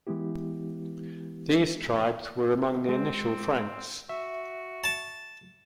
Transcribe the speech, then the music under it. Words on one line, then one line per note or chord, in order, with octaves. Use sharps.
These tribes were among the initial Franks.
E3 G#3 B3 E4 G4
G#3 C4
F#4 E5
A5